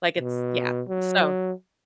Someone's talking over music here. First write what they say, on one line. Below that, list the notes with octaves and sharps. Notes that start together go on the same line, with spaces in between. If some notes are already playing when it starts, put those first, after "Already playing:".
like it's, yeah, so
B2
F#3